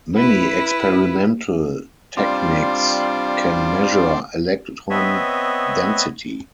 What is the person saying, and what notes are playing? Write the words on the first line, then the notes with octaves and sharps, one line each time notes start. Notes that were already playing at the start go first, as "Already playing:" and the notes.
Many experimental techniques can measure electron density.
E4 B4
G3 C4 D4 F4
B3 C4 B4 C#5 D#5 E5